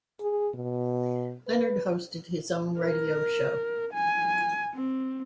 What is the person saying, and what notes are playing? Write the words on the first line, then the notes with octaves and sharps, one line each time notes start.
Leonard hosted his own radio show.
G#4
B2
B4
A#4
G#5
C4